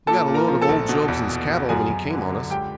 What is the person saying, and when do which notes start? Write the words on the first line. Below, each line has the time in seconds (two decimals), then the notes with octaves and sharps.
We got a lot of old Jobson's cattle when he came on us.
0.07 A#2 A4 A5
0.28 A#2
0.34 A#4 A#5
0.48 F3
0.62 A4 A5
0.69 A#1
0.89 B2
1.08 E2
1.30 B2
1.49 B2
1.69 F#2 G#4 G#5
1.90 F#2
2.10 D3
2.30 D3
2.50 C#2 G4 G5